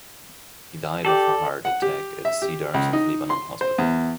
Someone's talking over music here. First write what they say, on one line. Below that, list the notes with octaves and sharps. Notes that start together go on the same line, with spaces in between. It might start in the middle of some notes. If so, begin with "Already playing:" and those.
He died of a heart attack at Cedars of Lebanon Hospital.
G4 A4 D5
F#5
G4
E5
G4
C#2
D#4
C6
C5
E2